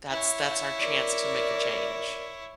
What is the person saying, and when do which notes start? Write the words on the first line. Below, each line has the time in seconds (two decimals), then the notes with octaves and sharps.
that's that's our chance to make a change.
0.11 E4 C#5
0.80 A#4 D5